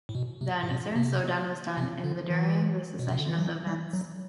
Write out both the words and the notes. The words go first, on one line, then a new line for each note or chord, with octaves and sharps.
Then, a certain slowdown was done in the during the succession of events.
A2
B2
C3
A2
B2
C3
C3
D3
E3
B2
C3
D3
E3
F#3
G3
F#3